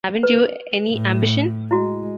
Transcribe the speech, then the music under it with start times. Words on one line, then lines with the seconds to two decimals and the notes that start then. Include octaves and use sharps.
Haven't you any ambition?
0.23 B4
0.91 A2
1.71 G#3 E4 F#4